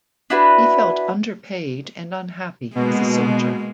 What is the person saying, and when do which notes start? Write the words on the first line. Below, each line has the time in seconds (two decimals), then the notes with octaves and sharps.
He felt underpaid and unhappy as a soldier.
0.30 D4 E4 F#4 B4
2.75 B2 G#3 A#3